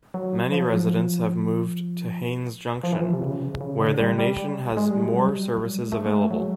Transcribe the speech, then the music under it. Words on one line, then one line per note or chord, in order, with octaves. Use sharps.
Many residents have moved to Haines Junction, where their nation has more services available.
F#3
F3
F#3
F3
F3
E3
F3
C3
C#3
C#3
D3
G3
G3
G#3
G3
F#3
G3
F#3
G3
G#3
A3
A3
G#3
F#3